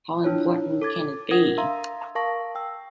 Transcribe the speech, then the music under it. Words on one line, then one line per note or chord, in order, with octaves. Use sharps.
How Important Can It Be?
D4 E4 F4 C#5
A4 D6 G#6 A6
D4 A#4 F#5 D#6 G#6 A#6
E5 F5 A#5 C6 E6
A#4 F5 A5 C#6 A#6
G5 E6